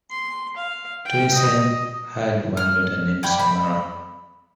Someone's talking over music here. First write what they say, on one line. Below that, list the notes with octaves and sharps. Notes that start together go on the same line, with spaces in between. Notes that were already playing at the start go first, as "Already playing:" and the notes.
Toussaint has one daughter named Samara.
C6
F5
G5
D#5
F6
D5 G5 B5
B5